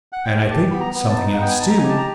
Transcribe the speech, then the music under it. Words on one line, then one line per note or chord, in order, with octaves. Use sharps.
"And I think something else, too."
F#5
G5
G#5
G4 A5
B3 B5
A#5
B3
A5
D#4
F#5
B3 G5
G#5
D#4 A5
A#5
G#5
G4
A5
A#5